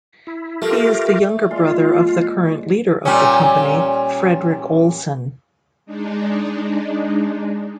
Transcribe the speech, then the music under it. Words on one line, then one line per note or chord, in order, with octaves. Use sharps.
He is the younger brother of the current leader of the company, Fredrik Olsen.
E4
A3 F4 G4 A#4
A#2 G#3 F4 C6
A#2 G3 C#4
G#3 D4 D#4